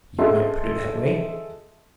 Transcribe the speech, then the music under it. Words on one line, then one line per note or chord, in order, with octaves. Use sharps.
"You might put it that way."
G#4 A4 D#5 E5 C6